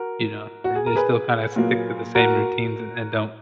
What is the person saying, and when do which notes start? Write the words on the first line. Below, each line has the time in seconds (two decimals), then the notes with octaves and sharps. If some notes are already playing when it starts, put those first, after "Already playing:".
You know, they still kinda stick to the same routines a and don't
Already playing: F#4 A#4
0.64 F#4
0.76 G#4
0.86 A#4
0.96 G#4 B4
1.56 A#2 F#3 A#3
2.15 F#4 A#4